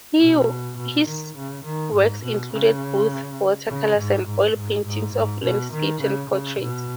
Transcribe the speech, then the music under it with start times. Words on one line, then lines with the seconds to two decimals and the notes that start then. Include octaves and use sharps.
His works included both watercolors and oil paintings of landscapes and portraits.
0.19 B2
0.77 B2
1.07 D#3
1.36 C#3
1.64 D#3
1.94 G#2
2.23 B2
2.53 C#3
3.68 C#3
3.97 G#2
4.27 G#2
4.55 G#2
4.85 G#2
5.14 G#2
5.43 B2
5.73 D#3
6.01 C#3
6.30 C#3
6.60 B2